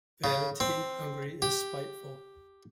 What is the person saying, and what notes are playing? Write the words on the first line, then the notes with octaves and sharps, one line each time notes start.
Vanity hungry is spiteful.
C#3
C4
G4